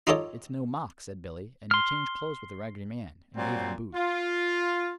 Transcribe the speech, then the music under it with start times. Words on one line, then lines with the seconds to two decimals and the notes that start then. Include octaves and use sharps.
"It's no mock," said Billy, and he changed clothes with the raggedy man, and gave him boot.
0.07 D#4 F4 G4 A4 C#5 D#5
1.71 C6 F6
3.37 A#2 F#3 G3 C4
3.94 F4